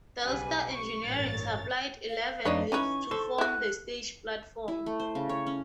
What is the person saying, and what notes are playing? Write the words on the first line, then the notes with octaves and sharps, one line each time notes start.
Delstar Engineering supplied eleven lifts to form the stage platform.
B1 C#3 G3 B4 G#5
C#6
A1 G2 A#2 A#4 C#5 A6
F5
F2 D4 D#4 B4 C#5
E3 C#4 D#4 B4 C#6
A4 C5
E4 F#4 F#6
E4
A3
C5
C#3
C#5
C#4